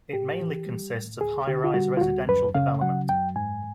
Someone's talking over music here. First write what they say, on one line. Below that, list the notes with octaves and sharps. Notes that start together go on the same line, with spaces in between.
It mainly consists of highrise residential development.
A2 G4
E3
G3
A2
D2 G#4
D3 G4
F4
G3 F#4
F4
D2 F#4
F#2 B4
C#3 F5
F#3 F#5
F#2 G5
G#2 G#5